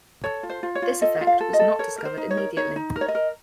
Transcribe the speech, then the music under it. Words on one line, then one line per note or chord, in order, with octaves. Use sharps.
This effect was not discovered immediately.
A4 C#5
F4
C5
F4
C#5
F4
A4 D#5
F4
F5
A4
D#5
A4
A#4 C#5
A#4
C5
D#4
C#5
A#4
D#4 C#5
D#4
A#4
C#5
D#5
A#4